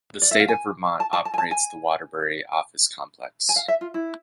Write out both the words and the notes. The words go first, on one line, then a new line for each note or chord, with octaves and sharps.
The State of Vermont operates the Waterbury Office Complex.
D5
E5
F5
G#5
A5
A5
A5
G#5
A5
G#5
G#5
F5
E5
F4
E4